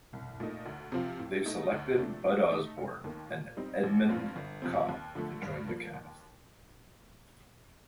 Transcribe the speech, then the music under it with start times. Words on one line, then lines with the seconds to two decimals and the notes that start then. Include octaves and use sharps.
They selected Bud Osborne and Edmund Cobb to join the cast.
0.13 C2
0.40 A#2 A3 D#4
0.66 D2
0.92 C3 F3 C4 F4
1.19 A2
1.46 A3 D#4
1.72 D2
1.98 C3 F3 A3 D4
2.24 A2
2.51 A3 D#4
2.78 F1
3.04 D#2 D#3 A#3
3.30 A#2
3.57 G3 C4 D#4
3.83 A1
4.09 G2 F3 C4 F4
4.36 G1
4.62 F2 C3 F3 C4
4.89 D#2
5.15 D3 F3 A3
5.42 G2
5.68 F3 A#3
5.94 D#2